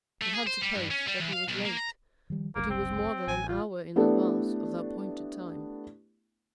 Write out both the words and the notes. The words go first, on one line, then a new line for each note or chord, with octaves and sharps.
He had supposed that he was late, but he was more than an hour in advance of the appointed time.
A3
G#4
C5
G3
G2
C#4
G3
E2
F5
B1
A#3
A#5
D#3 F3 G3
F#1 C2 F#2 A#3
C4
A1 G#5
F4
A3 B3 D4 E4 G4 A4